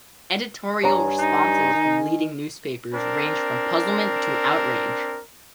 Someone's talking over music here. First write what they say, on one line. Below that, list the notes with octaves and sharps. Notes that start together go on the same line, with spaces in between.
Editorial responses from leading newspapers ranged from puzzlement to outrage.
G2 C#5 F#5 G#5 A#5
D#4
D#3
C4 D4 A#4